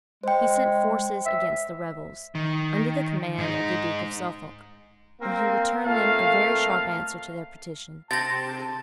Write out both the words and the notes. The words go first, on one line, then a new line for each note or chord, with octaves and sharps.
He sent forces against the rebels, under the command of the duke of Suffolk; and he returned them a very sharp answer to their petition.
G#3 C5 G5
E5
D#3
G#2 D#4
A#3 C4
A#2 A3 C4 A4 F5
C3 A5 A6 A#6